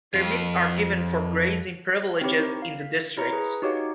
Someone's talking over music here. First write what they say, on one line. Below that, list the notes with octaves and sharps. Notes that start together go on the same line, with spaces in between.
Permits are given for grazing privileges in the districts.
F2 F4
C4 D#4 E4 G4 C#5
F5
B6
E4 C#5 A#5 C#7
G#4 B4
D#4 F#4 G4 C#5 D#5 F5